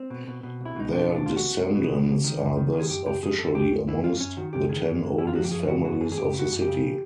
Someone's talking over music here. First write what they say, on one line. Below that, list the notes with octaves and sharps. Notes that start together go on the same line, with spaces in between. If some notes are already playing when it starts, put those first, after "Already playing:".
Their descendants are thus officially amongst the ten oldest families of the city.
Already playing: C4
B2
B2
B2
C2
E4
B2 D#4
B2 D4
C2
D4
C2 F4
F#4
C2
C2
B2
C2
C2
D#3
F#2
D#3
D#3
G#4
F#2 G4
F#2 G4
F#2 G#4
F#2 A4
F#2 G4
F#2
F#2 E4
F#2 F4
F#2 C#4
D#3 F#4
F#2 G4
D#3 G#4
F#2
F#2
F#2 E4
F4
F3 F#4
G4
F#2 G#4
C#3 F#4
F#2 F#4
F#2 G#4
G#4
F#2 G4
C#3
F#4
F#2
G4
C#3